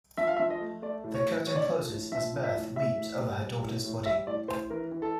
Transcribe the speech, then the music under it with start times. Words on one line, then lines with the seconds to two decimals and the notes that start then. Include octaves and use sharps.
The curtain closes as Berthe weeps over her daughter's body.
0.17 F3 E5
0.27 F5
0.37 E5
0.40 F3
0.50 D#5
0.61 A3
0.82 A3 D5
1.04 A2
1.15 C#5
1.26 A2
1.47 A2 C#5
1.56 D5
1.63 C#5
1.69 F3
1.90 A2
2.12 F3 E5
2.34 F3
2.44 E5
2.55 A2
2.76 A2 E5
2.98 A2
3.19 G3
3.41 G3
3.62 A2
3.84 A2
4.05 G3 E5
4.27 A2 D5
4.48 A2 C5
4.70 E3 A#4
4.92 E3
5.02 A4